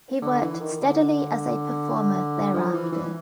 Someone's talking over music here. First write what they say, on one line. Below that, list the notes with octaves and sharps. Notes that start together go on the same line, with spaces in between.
He worked steadily as a performer thereafter.
D3
E3
D#3
D3
F3
E3
E3